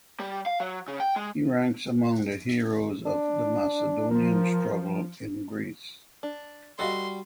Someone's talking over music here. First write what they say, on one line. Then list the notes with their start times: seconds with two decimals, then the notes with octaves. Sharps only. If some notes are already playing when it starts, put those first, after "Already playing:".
He ranks among the heroes of the Macedonian Struggle in Greece.
0.20 G3
0.46 F5
0.60 F#3
0.88 C#3
1.00 G5
1.16 G#3
3.06 D4
4.11 F3 A#4
6.23 D4
6.79 G3 F#4 A4 D#5 F5 C6